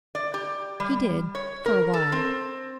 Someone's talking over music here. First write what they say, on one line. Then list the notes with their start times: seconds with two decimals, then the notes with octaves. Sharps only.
He did--for a while.
0.15 D5
0.34 G4
0.80 G3
1.35 C#5
1.66 A#4
1.94 A4
2.12 C4